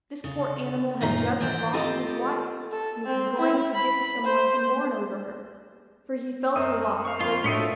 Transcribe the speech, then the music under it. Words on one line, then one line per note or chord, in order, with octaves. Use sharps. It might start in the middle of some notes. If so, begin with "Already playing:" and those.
This poor animal had just lost his wife, and was going to get some one to mourn over her, for he felt her loss greatly.
C#3 A4
F#2 A#2 D#4 F4 A#5
G#2 E3 A3 D4 C5 G5
C4 F4 G4 A4 D#5
A4
C4
E4
B5
C5
F#2 C4 D#5 E5
F5 C#6
F2 F4
A2 A3 D4 F#4 D#5 B6 C#7 D#7